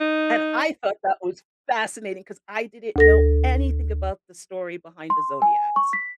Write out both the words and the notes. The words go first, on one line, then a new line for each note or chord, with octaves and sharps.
And I thought that was fascinating 'cause I didn't know anything about the story behind the zodiacs,
D#4
D2 A4 A#6
C6
G#5
C#6
B6